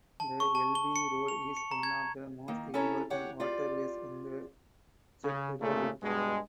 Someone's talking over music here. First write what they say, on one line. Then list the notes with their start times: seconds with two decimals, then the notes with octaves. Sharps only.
The Elbe road is one of the most important waterways in the Czech Republic.
0.20 A5
0.40 C#6
0.55 A5
0.75 G7
0.96 C#7
1.28 F7
1.57 C#7
1.71 A#5
1.83 G#6
2.48 D#3 A#3
2.74 C#4 E4 A4 C#5 A#5
3.10 D3 G4 C#5 F#5
3.40 F4 G4 D5
5.24 C#3
5.60 D2 A#2 C#3 A3
6.03 G2 B2 G#3